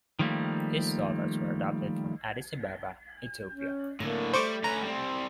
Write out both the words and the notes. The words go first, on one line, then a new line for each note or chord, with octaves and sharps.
His daughters were adopted from Addis Ababa, Ethiopia.
D#3 F3 G3 A3 A#3
C#4
A2 D3 A#3
G3 A3 C5 C#6 D6
C#4 B4 A#5
G3 C4